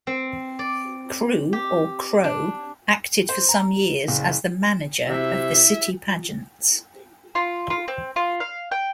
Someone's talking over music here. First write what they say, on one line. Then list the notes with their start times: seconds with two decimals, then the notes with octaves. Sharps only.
Croo, or Crowe, acted for some years as the 'manager' of the city pageants.
0.07 C4
0.59 D5
1.53 G4
2.24 D4
3.29 C5
3.49 A#5
4.08 F#1
5.08 C3 E4 E5
7.35 F4
7.70 F4
7.88 C4
8.16 F4
8.40 F5
8.71 G5